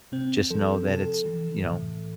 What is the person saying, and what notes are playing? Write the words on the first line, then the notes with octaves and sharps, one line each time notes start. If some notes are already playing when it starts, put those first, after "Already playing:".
just know that it's," you know,
C3 C4
F3 A4
C3 A4
E3
A2